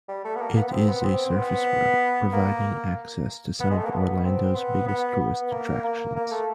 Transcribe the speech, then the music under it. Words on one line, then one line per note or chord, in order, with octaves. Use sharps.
It is a surface road providing access to some of Orlando's biggest tourist attractions.
G3
A3
B3
A#3
B3
B3
C4
B3
C4
C4
B3
A#3
B3
G#3
A3
A#3
B3
C4
B3
B3
B3
A#3
A#3
A#3
A3